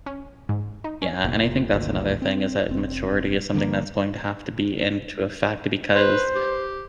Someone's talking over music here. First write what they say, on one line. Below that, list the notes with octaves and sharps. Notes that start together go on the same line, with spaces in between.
Yeah, and I think that's another thing is that maturity is something that's going to have to be into effect to because
C#4
G#2
D#4
C#4
F1 A#2
G#1 D2 A#2
C4
F1 C4
D3 F3 A3 A#3
B4 C5
G4